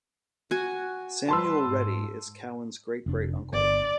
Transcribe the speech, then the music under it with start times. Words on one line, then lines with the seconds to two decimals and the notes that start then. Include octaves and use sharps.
Samuel Rettie is Cowan's great-great uncle.
0.51 F#4 G#5
1.29 G3 B4 A5 C6 E6
1.65 G#2
3.06 F1 D4
3.53 G1 D5